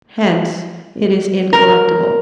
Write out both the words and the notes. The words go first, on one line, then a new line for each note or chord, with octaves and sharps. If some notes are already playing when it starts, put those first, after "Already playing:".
Hence it is incorruptible.
A#4